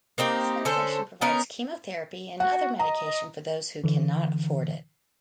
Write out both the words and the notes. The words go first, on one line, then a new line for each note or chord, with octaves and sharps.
This foundation provides chemotherapy and other medication for those who cannot afford it.
A#3 C4 D#4 G4
D3 C#4 A4 C5
B3 C#4 D#4 A#4
F#4 F#5
D#5 A#5
D3 E3